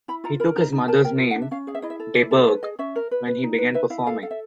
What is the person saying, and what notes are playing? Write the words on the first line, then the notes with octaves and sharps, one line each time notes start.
He took his mother's name, "de Burgh", when he began performing.
E4 B5
F4 A#5
A#4 B5
D#4 A#5
D#4
A#4 A5
A#4 G5
F4
F#5
D4
E5
C#4 F5
G#4 F5
E5
E4 D#5
E5
A4
E4 D5
A4
B4 C#5
G#4 D#5
C#4 E5
A#4
B4
B4
D#4
B4
B4 E5
E4 F5
A4 F5
A4 F5
E5